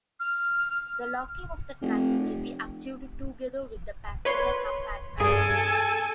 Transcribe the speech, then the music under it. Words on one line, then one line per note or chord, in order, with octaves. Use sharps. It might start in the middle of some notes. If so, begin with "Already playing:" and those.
The locking of the trunk may be achieved together with the passenger compartment.
F6
F1
B4 C#5 C6
G2 G#4 A4 G#5 D7